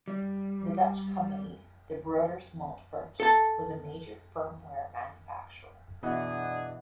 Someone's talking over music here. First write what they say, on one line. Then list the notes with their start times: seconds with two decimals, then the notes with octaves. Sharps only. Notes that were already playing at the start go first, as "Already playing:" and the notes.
The Dutch company De Broeders Montfort was a major firmware manufacturer.
0.08 G3
3.20 A4 A5
6.03 B2 E3 D4 G#4 D#5 F#5